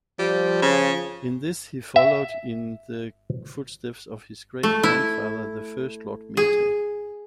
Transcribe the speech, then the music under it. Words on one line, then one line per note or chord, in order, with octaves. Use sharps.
In this, he followed in the footsteps of his great-grandfather, the first Lord Minto.
F3 G3
C#3
E5
A3
E4
G#4